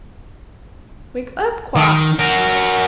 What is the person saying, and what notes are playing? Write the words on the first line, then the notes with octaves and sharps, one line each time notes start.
"Wake up, Quox!" she cried.
D#3
F#4 A#4